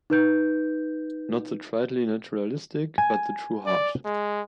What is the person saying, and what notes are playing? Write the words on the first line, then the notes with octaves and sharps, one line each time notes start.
Not the tritely naturalistic, but the true heart.
D#4 B4 G6
G#5
D5
G#3